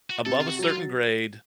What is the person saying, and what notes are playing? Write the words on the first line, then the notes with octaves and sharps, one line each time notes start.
above a certain grade
F#4
C3 A4
F4
F#4
F#3 D#4
F4